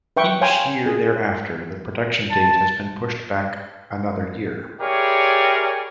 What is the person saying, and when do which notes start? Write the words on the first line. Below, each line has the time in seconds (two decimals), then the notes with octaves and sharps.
Each year thereafter the production date has been pushed back another year.
0.17 B4 E5 G5 C#6
0.41 C#5 F5 G5 G#5 A#5 C6
0.86 G#4
2.31 A5
4.80 E4 G4 G#4 A#4 C#5 D5